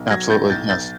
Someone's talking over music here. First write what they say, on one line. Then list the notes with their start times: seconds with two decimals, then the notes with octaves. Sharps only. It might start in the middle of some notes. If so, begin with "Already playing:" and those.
Absolutely, yes.
Already playing: B1
0.10 F#3 G#6 A#6
0.30 A2 G6 A6
0.50 B1 G6 A6
0.69 B1 G6 A6